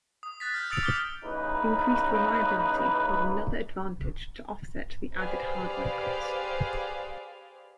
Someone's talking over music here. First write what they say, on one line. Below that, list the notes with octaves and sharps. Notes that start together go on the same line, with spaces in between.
Increased reliability was another advantage to offset the added hardware cost.
D#6
F#6 A6 B6
F6 G6
D#6 E6 A6 C#7 D7 F7
D6 D#6 F6 G6 A6 G7
A1 C#3 E3 D#4 B4
G4 G#4 B4 C5 D5 F5